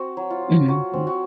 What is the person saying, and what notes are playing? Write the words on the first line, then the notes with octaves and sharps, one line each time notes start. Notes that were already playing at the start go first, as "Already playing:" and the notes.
Mhm mm.
Already playing: C4 F#4
F#3
F4
F4
F#3 F#4
C4
F#4